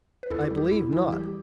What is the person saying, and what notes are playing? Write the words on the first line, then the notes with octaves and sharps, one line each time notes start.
"I believe not."
B4
E2 E4 A4
G4
G3
G4
E2 E4
E3 E4
G3 G4